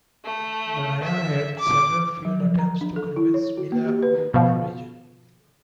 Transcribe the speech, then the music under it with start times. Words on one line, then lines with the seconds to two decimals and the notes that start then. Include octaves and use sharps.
Danaya had several failed attempts to convince Mila about her origin.
0.25 A3
1.03 E5
1.59 D6
2.25 F#3
2.40 F3
2.59 A#5
2.81 D4
2.96 A4
3.16 E4
3.34 C#5
3.57 F#4
3.72 A#3
3.85 G4
4.03 B4
4.34 B2 F3